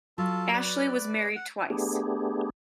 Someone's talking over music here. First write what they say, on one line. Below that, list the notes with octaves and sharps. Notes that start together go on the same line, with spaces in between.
Ashley was married twice.
F#3 F4 A4 A5
B4 D5
F#5
A3 B3 D4 G4 G#4